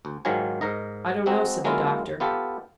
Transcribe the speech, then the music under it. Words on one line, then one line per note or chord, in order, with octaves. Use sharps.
"I don't know," said the doctor.
D2
G#2 D#3 F#3 F4 G#5
G#2 A#4 D#5
G#3 C4 D#4 F#4
F#3 G#3 A#3 C#4 E4 F4
B3 F4 G4 A4